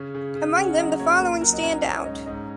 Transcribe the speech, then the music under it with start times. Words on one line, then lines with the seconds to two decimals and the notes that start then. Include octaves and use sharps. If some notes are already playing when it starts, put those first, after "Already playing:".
Among them, the following stand out.
Already playing: C#3 C#4
0.15 C#3
0.35 C#3
0.56 C#4 F#5
0.77 F#3 D#5
0.99 A#3 C#5
1.20 A#2 A#4
1.41 F#3 A#4
1.53 D#5
1.63 C#4 C#5
1.84 C#4 C#5
2.05 G#2 D#5
2.26 G#2 D#5